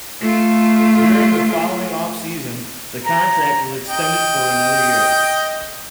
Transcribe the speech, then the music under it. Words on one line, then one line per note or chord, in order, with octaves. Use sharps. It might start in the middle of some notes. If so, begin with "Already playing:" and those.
During the following off-season, the contract was extended for another year.
A3 F4
A#5
D#5 G5